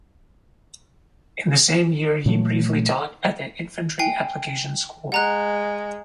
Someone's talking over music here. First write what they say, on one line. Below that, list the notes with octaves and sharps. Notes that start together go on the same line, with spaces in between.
In the same year he briefly taught at the Infantry Application School.
A#2 E3 F#3 A3
G5 G#5 C7
G#3 F#5 A#5 F#6